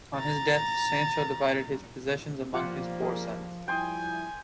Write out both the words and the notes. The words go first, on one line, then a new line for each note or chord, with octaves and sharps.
On his death, Sancho divided his possessions among his four sons.
A#5 A6
F3 G3 A#3 F4 G4 F#5
G#4 A#4
F3 G3 E4 G5 G#5 C6 D#6